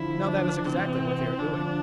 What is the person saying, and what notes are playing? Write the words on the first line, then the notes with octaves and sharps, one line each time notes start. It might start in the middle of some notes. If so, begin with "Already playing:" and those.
Now that is exactly what they are doing.
Already playing: D3 F3 E4
D4
C3 E3 C4
D3 F3 D4